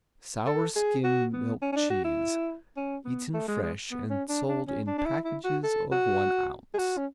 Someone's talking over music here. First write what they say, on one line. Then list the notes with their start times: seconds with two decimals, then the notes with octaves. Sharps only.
Sour skim milk cheese, eaten fresh and sold in packages of one ounce.
0.47 A4
0.76 G#4
1.04 F#4
1.33 B3
1.62 C#4
1.72 C#4
1.76 D4
1.90 F#4
2.05 E4
2.76 C#4
3.05 B3
3.34 A3
3.48 G#3
3.63 G#3
3.91 B3
4.10 C#4
4.29 D4
4.48 D4
4.68 C#4
4.87 D4
4.98 D4
5.06 E4
5.25 E4
5.44 F#4
5.63 A4
5.92 F#4
6.74 G#4
6.78 F#4
6.97 C#4